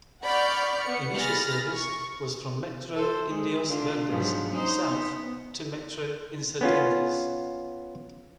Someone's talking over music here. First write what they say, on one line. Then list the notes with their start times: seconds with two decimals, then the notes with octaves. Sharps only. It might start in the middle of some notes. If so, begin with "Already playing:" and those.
Initial service was from Metro Indios Verdes south to Metro Insurgentes.
0.23 D5 F#5 B5 C#6 F6 G6
0.84 B3 C#7
1.18 G#4 B5 F6 A6 A#6
1.74 C#6
2.94 A4 C5
3.30 G#3
3.66 D3 D4 F4
4.09 G#2 F3 F#3
4.51 C#4 D#4 C5
4.89 B3
6.61 B3 C#4 F4